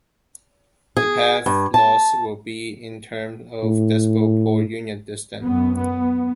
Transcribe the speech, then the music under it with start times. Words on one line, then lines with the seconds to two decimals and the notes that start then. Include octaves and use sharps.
The path loss will be in terms of decibels per unit distance.
0.97 G#4
1.46 G2
1.74 A5
3.63 A2
5.42 F#2 B3
5.77 B3